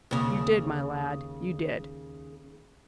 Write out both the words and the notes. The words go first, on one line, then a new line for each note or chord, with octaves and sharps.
"You did, my lad; you did."
D#2 C#3